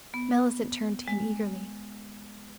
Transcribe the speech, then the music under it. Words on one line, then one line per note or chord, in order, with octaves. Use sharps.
Mellicent turned to him eagerly.
B3
G#3